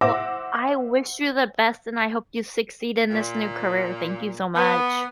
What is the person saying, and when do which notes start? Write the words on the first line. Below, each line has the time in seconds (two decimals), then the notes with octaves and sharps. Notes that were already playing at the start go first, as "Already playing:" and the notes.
Well, I wish you the best and I hope you succeed in this new career, thank you so much.
0.01 C5 E5 F#5 D6 E6 A#6
3.10 A#2
4.56 B3